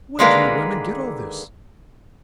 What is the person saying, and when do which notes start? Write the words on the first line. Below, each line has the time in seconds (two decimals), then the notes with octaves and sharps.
Where do you women get all this?
0.19 D3 D#3 G#3 A#3 B4 F5